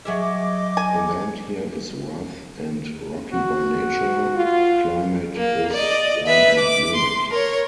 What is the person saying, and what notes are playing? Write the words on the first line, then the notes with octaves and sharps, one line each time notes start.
The land here is rough and rocky by nature.The climate is warm and humid.
F#3 G#4 D#5 E5 D6
G#5
F#4
F4
A#3
D5 D#5
B4 E5
D6
C6
A#4 C#5